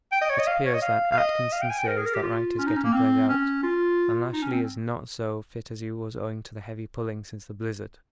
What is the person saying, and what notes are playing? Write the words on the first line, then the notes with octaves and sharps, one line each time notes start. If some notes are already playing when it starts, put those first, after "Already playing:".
It appears that Atkinson says that Wright is getting played out and Lashly is not so fit as he was owing to the heavy pulling since the blizzard.
G5
D#5
C#5
D#5
F5
C#5
D#5
F5
F5
D#5
F5
G5
G#5
G5
A#4
G#4
A#4
G4
F4
C#4
D#4
C#4
A#3
C4
C#4
F4
D#4
C#4
C4